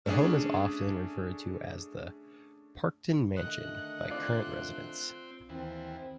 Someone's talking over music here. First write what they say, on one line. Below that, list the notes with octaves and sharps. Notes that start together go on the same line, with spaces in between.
The home is often referred to as the Parkton Mansion by current residents.
A3 C#4 D4 G#4
D3 D#3 A3 D#5 F#6
C4 F4 D5
D#2 E3 C4